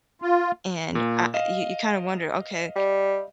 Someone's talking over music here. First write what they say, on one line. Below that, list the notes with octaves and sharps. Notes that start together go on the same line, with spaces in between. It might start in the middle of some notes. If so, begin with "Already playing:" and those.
and I you you kind of wonder, "Okay,
F4
A#2
D#5 F5 E7
G3